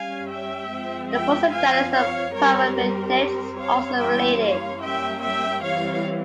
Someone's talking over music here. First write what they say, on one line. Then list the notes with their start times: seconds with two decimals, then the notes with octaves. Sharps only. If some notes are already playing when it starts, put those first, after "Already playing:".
The fossil genus "Parapedetes" is also related.
Already playing: G3 C#4 F5 G#5
0.29 E5 G5
0.71 F3 G#3 C4
1.11 E5 G5
1.53 F3 C4 F5 G#5
1.93 C#5 F5
2.35 G3 C4 A#4 C#5
2.76 G4 A#4
3.17 G3 C4
3.58 C#5 F5
3.99 E3 G3 A#3 C#4 E5 G5
4.41 C#5 F5
4.81 G3 A#3 C#4 E5 G5
5.22 E5 G5
5.63 E3 G3 C4 C#5 F5